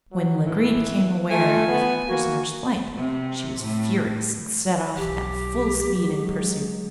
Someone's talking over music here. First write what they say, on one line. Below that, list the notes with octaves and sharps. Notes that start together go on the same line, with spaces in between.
When Lagree became aware of her prisoner's flight she was furious, and set off at full speed in pursuit.
F#3
A2 E3
A3 F4 G#5
B3
A#3 F#4
C3
A2
B1 G4
F#3 G#3